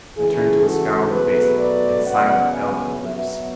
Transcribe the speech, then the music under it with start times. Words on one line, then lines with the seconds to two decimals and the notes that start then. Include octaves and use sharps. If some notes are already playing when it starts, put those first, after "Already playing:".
I turned to a scowling face, and silent, eloquent lips.
0.17 C#3 E3 A3 E4 G#4
0.64 F#4 A4
1.11 B2 F#3 A3 G#4 B4
1.58 B4 D5
2.05 C#3 F#3 B3 D5 F#5
2.52 E5 G#5
2.99 B2 F#3 B3 C#5 E5